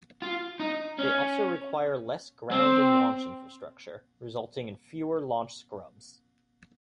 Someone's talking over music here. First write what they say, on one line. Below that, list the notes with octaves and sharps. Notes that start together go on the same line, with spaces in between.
They also require less ground and launch infrastructure, resulting in fewer launch scrubs.
F4
D#4
C#4
C4